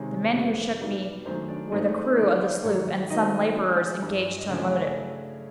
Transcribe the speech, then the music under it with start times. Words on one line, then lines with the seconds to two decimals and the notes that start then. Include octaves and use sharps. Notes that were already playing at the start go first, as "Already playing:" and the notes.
The men who shook me were the crew of the sloop, and some laborers engaged to unload it.
Already playing: C3 D#3 G#3 C#5
0.34 F2 D3 G3 B3
0.80 B2 G3 B3 D#4
1.25 F#2 D#3 F#3 A3 C5
1.48 D4 D5
1.72 G#2 E3 A3 C4 D#4 D#5
2.18 D3 G3 B3 D4 D#4 D5
2.41 C5
2.64 G#2 D#3 F#3 C#5
3.10 D#3 F#3 A3 C4 D#4 D#5
3.56 B2 G#3 C#4 E4
4.02 G2 E3 G3
4.38 D#5
4.47 C#3 F#3 A3 C#4 D4 E4 D5